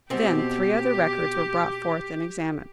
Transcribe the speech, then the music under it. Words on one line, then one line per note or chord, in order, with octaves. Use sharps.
Then three other records were brought forth and examined.
B2 C4 G4